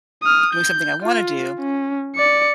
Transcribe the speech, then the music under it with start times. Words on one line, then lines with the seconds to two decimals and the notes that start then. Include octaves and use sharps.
doing something I wanna do,
0.22 D#6 F6
0.53 G6
1.03 F4
1.60 C#4
2.16 D5 C#7